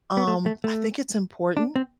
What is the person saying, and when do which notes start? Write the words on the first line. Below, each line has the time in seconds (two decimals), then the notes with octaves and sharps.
um, I think it's important
0.17 B3
0.27 A3
0.46 A3
0.64 A3
1.57 D4
1.76 C4